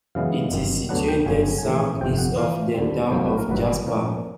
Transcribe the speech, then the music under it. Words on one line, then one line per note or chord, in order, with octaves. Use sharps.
It is situated southeast of the town of Jasper.
F#2 C#3 E3 G#3 B3 F5
G1 F#2 D#3
D2 D3 F#3 B3 D4 F#5
G5
G1 F#2 C#3 G#5
G#5
G#5
A#1 A2 E3
G#5
G1 F2 C3 G5
F#5
A2 E3 A3 F5
D#2 D3 G3 C4
B1 A2 F#3 A#3 C5
B4
A#4
G1 G2 D#3 F#3 B4
A#2 F3 A#3 C#4